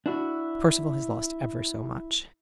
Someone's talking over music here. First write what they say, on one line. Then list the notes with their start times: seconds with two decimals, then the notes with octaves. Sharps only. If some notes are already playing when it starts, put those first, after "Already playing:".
"Percival has lost ever so much."
0.06 D4 E4 F#4